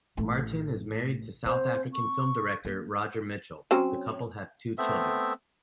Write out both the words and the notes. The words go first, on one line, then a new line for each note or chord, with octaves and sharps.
Martin is married to South-African film director Roger Michell; the couple have two children.
A1 A3
C4 C5
C#6
A#3
F#3 C4 C#4
A3 B3 C4 E5